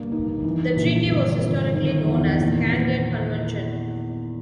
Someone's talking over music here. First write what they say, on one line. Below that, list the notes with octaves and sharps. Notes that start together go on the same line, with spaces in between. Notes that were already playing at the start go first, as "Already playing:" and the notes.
The treaty was historically known as "Kandyan Convention".
Already playing: G2 A#3
D#4
E3
A#1
G1
G1
D#3
E2
A#2
A#2